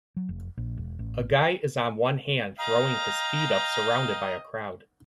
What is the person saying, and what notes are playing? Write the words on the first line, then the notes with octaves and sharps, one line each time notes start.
A guy is on one hand throwing his feet up surrounded by a crowd.
F#3
F1
A#1
E1
A1
D#5 F5 G5 A#5